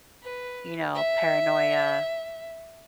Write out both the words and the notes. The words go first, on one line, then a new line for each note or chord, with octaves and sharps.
you know, paranoia,
B4
E5